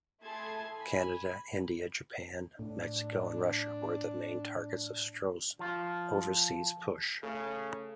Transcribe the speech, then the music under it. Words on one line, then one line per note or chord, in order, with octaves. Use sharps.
Canada, India, Japan, Mexico, and Russia were the main targets of Stroh's overseas push.
A3 E4 G#4 A5 C6 G#6
G#5 B5
A2 D4
F3 F4
C#3 A3